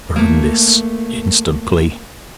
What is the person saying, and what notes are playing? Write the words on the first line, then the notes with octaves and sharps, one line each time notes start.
Burn this instantly.'
A3 A#3